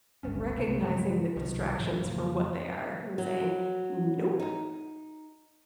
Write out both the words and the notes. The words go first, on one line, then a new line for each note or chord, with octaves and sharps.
But recognizing the distractions for what they are and saying, "Nope."
G1 C#2 G2 C#4
B1 C3 B3 C4
G2 C#3 F3 G#3
C2 B2 D#3 F3
A1 A2 E3
F2 C#3 F3 A#3
F#3
D#4